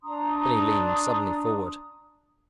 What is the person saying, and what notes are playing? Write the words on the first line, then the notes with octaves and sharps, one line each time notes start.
Then he leaned suddenly forward.
D4 A#5 C6 D#6